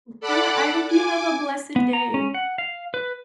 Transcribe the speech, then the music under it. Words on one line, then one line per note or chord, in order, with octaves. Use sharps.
M yeah, I hope you have a blessed day.
A4 D5 F#5 B5 D6 F#6
G#5 D6
B3
A#5
C#4
F#5
F5
B4